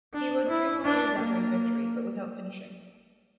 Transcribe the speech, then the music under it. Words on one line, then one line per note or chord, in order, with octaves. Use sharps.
He rode three more years after his victory but without finishing.
D4
E4
D4
A#3